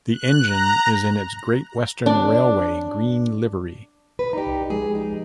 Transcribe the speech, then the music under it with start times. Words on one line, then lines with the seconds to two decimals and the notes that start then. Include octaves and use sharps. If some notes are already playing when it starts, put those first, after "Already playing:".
The engine is in its Great Western Railway green livery.
0.13 F#6
0.47 A#5
2.06 D4
4.19 B4
4.33 D#4 G4 D5 A#5
4.46 C2
4.70 F3 G#3 G4 G#4
4.95 D#4